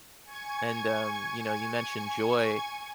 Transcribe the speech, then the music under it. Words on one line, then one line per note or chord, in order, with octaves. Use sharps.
And, um, you know you mentioned joy
G#5 C#6 G#6